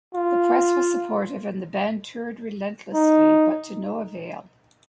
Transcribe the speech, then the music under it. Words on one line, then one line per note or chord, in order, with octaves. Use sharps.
The press was supportive and the band toured relentlessly, but to no avail.
F4
D#4